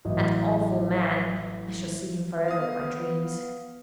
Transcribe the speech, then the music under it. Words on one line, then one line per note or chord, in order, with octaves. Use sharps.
That awful man--I shall see him for ever in my dreams.
A1 F#3 D#5
B3 F5 D#6